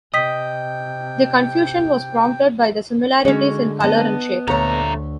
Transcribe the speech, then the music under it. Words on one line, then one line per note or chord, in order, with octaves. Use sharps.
The confusion was prompted by the similarities in colour and shape.
C3 D#5 G5 D#6 B6
D3 G#3 C#4 F#4
B3 D#5 A5
D2 G2 A#2 A3 A4 C#5 A#5